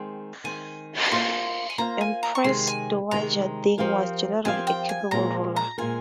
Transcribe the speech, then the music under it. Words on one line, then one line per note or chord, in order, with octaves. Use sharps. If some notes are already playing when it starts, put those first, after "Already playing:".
Empress Dowager Deng was generally a capable ruler.
Already playing: D#3 G#3 C4
D#3 G#3 C4 G#5
A#5
A#3 F4 C5 F5 C6
G#5
A#3 F4 C5 F5 A#5
G#5
A#5
C#6
C3 D#3 G#3 C4 C6
G#5
C3 D#3 G#3 C4 A#5
F3 C4 G4 A#4 F5
F3 C4 G4 A#4 F5 G#5
G5
G#5
A#2 G#3 C4 F4 A#4 A#5
A#5
A#2 G#3 C4 F4 A#4 G#5